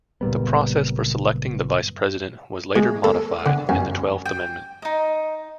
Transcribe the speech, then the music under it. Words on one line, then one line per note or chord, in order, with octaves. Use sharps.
The process for selecting the vice president was later modified in the Twelfth Amendment.
F#1 A#2 G3 B3
G#3
A4
D3
F#2
G5
D#4 D#5